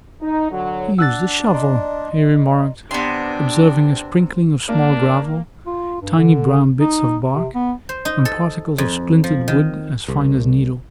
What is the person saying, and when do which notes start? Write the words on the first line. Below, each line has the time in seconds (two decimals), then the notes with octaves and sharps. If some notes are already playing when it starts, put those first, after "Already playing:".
"You used a shovel," he remarked, observing a sprinkling of small gravel, tiny brown bits of bark, and particles of splintered wood as fine as needles.
0.21 D#4
0.51 D3 F#3
0.98 D4 F#5 E6 F#6 A6
1.54 D5 D#5 A#5 C6
2.91 C3 B3 D4 C6
4.69 A#3 D4
5.66 F4
6.01 G2
6.17 D3
6.80 D#4
7.33 C3
7.55 B3
7.89 C5
8.05 D#4
8.25 A4
8.78 F2
9.24 F3
9.48 D#3
10.08 C2